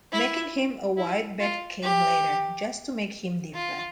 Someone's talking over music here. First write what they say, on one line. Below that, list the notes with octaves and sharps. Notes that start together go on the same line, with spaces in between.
Making him a white bat came later - just to make him different.
E4
E4
F4
G4
F4